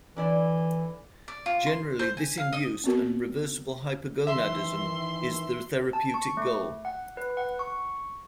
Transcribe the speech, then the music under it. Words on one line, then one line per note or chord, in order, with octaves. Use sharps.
Generally this induced and reversible hypogonadism is the therapeutic goal.
D3 E3 E4 D5
D5
F4
C6
C5
G#5
F5
D#5
B3 C4 F#4 A#4
D#3 E3 E5 C6
A5
C#6
A3
F#5
B4
F#5
C#6